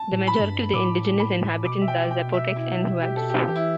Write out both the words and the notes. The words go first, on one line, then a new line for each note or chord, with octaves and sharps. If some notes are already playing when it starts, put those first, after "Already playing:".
The majority of the indigenous inhabitants are Zapotecs and Huaves.
Already playing: A5
A2
B5
A2
G2
A2 D6
B5
B2 D6
E5
G5
G5
E5
E4
G4
A4
G4
E3 G4
E4